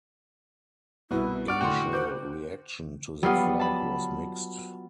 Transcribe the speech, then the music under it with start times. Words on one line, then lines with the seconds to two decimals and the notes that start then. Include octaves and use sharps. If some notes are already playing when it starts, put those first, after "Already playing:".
Initial reaction to the flag was mixed.
1.11 C2 B2 E4 F#4 B4
1.48 D5 F#5 C#6 F6
1.61 A2 D3 D4 F#4 G5 C6
1.93 C5 D6 G6
3.23 F#3 G3 B3 F4 D#6
3.59 A5 B5